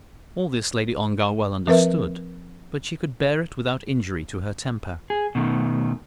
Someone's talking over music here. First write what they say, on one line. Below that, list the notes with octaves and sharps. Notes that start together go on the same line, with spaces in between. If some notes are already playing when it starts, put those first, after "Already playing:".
All this Lady Ongar well understood, but she could bear it without injury to her temper.
F3 C4 A#4 B4 E5
G#4
B2 D#3 A3